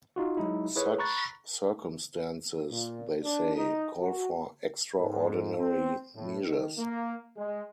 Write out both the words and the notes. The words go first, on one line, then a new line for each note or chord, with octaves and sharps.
Such circumstances, they say, call for extraordinary measures.
D#4 F4 F#4
F#3 G#3 D#4 E4
E4 G#4 B4 C#5
A#5 B5 C#6 F#6 A6
A#2
D4
D#4
F#4
G#2
C4
A2
D#3
A#3
G#3